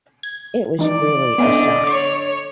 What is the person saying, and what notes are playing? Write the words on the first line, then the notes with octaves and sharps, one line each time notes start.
It was really a shock.
G#6
E3 D#4 D5
D3 B3 C#4 E4 D#5
C#5 D6